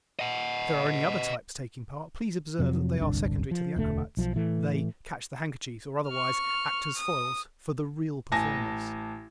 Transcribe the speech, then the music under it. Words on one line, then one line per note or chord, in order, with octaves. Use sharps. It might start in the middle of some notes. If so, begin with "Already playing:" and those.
If there are any other types taking part please observe that they are secondary to the acrobats--they catch the handkerchiefs or otherwise act as foils for the real performers.
D#5 F#5
F2 C3 F3 F#3
D1 G1 C2 D4
F3
E1 D2 A3
B1 F3
A2 E3 A3
C#6 F6
D#6
A1 G#5 A5 A#6